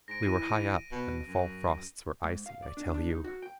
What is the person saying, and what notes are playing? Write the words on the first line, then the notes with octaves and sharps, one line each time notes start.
We were high up and the fall frosts were icy, I tell you!
G#2 A#6 D7
E3 D#7
D#7
B2
F#2
G#2
F5
D5
D4
D4
D#4
F#4
G5